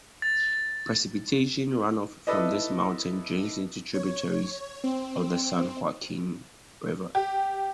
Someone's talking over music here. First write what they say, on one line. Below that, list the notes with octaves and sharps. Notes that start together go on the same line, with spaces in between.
Precipitation runoff from this mountain drains into tributaries of the San Joaquin River.
A6
E4 A4 B4 D5 D#5
C#5
C4
G4